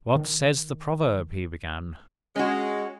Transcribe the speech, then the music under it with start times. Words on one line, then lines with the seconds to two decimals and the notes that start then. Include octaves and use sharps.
"What says the proverb?" he began.
0.16 D#3
2.36 G#3 C#4 F#4